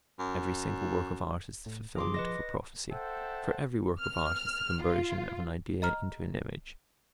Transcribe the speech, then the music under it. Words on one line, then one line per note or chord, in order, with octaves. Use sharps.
Every single work of art is the fulfilment of a prophecy: for every work of art is the conversion of an idea into an image.
F#2
A2
F3 G#4 C6 D6
B4 D#5 A#6
A4 C5 E5 F#5 G5
F6
F4
D#5 A#5 F6